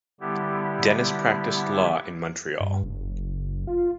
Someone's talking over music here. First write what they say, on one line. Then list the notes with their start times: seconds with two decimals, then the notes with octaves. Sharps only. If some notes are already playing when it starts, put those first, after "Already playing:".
Denis practised law in Montreal.
0.21 D3 G3 B3 E4 G4
2.60 G2
2.83 F#1
3.67 F4